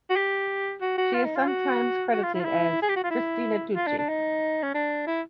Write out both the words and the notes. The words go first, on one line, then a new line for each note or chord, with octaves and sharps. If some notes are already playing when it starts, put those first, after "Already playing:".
She is sometimes credited as 'Christina Tucci'.
F#4
G4
F#4
F#4
F4
D#4
F4
F#4
F#4
F4
E4
F4
E4
G#4
G4
F#4
F4
E4
F4
D4
D4
D#4
C#4
D4
E4